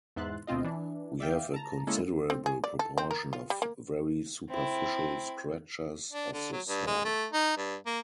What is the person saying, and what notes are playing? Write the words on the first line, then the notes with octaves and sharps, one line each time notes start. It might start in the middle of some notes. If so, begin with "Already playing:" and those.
We have a considerable proportion of very superficial scratchers of the soil.
E2 G#2 E5 C6 F#6 A6
D2 B2 C4 F4 D#5
E3 D4
D5 E5 F5 G5
A5 A#5
G#3 A#3 C#4 E4 A4
C4
G#4
D5
A4
C4
A#4
F4
G3
A#3
C4 E4
D4
D3
F#3
G2
G#3
A3
D#4
G2
A#3